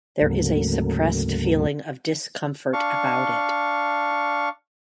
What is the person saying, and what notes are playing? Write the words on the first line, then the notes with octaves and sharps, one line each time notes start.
There is a suppressed feeling of discomfort about it.
D2 G#2 C#3 F#3 A3 A#3
D4 F5 C#6